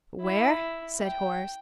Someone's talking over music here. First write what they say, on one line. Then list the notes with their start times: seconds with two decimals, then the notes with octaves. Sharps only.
"Where?" said Horace.
0.22 E4
1.01 G5